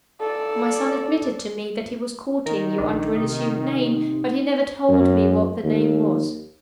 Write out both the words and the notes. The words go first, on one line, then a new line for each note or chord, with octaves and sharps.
My son admitted to me that he was courting you under an assumed name, but he never told me what the name was.
A4 D5
D#3 A#4
A#1 D4
C3 D#4
F#2
D#2